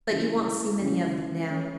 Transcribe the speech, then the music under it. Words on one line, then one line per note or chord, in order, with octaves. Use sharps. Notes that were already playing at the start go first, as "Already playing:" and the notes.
But you won't see many of them now.
C#3 E3 G#3
C#3 E3 G#3
E3 A3 C#4 E4